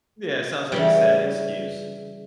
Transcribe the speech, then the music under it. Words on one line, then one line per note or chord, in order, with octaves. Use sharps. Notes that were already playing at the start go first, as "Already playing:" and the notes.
Yeah, it sounds like a sad excuse.
C#3 E3 G3